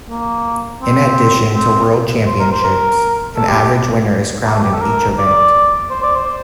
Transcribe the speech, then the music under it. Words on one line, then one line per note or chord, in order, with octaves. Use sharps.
In addition to world championships, an average winner is crowned in each event.
A#3
C4
C4
C5
A#4
C5
A#4
A4
G4
G4
A#3
A3
G4
A4
A#4
D5
C5
D5
C5